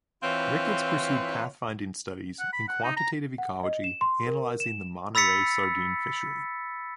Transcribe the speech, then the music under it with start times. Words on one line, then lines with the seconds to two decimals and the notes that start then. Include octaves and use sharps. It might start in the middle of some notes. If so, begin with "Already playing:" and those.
Ricketts pursued pathfinding studies in quantitative ecology, analyzing the Monterey sardine fishery.
0.22 E3 C4 E4 F4 B4 C#5
2.39 F#5
2.53 B5
2.68 F#5
2.84 D#4
2.97 A#5
3.38 F#5
3.63 D#5
3.84 E7
4.01 C6
4.27 A#4
4.60 E7
5.15 B5 E6 A6 B6 C#7